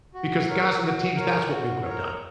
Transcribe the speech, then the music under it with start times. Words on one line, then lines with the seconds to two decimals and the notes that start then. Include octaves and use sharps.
because the guys on the teams, that's what we would have done.
0.14 F#4
0.48 A#4 C#5
0.82 F#4
1.16 A#4 C#5
1.50 F#4
1.84 A#4 C#5